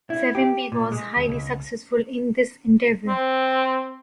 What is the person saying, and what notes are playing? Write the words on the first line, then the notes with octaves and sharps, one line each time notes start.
Savimbi was highly successful in this endeavour.
E4
G4
A#2
G#3
D#2
C#2
C4